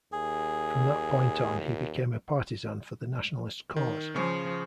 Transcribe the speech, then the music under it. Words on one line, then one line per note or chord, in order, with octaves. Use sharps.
From that point on he became a partisan for the nationalist cause.
D#2 G#4
D#3
C#3 F3 G#4 C#6